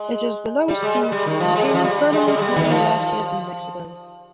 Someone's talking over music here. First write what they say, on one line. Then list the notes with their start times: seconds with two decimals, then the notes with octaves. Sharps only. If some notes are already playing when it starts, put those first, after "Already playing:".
It is the lowest peak containing permanent snow and glaciers in Mexico.
Already playing: G#3
0.68 G3
0.83 G#3
1.12 G3
1.26 D#3
1.40 F3
1.56 G#3
1.65 G3
1.74 F3
1.84 G3
2.13 G#3
2.28 G3
2.38 G#3
2.42 G3
2.56 D#3
2.65 G3
2.70 F3